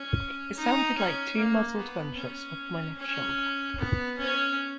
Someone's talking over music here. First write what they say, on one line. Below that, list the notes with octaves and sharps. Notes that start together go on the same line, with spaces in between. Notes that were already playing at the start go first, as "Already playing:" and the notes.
It sounded like two muzzled gunshots off my left shoulder.
Already playing: C#4
D#4
C#4
A#3
B3
C#4
C#4
B3
C#4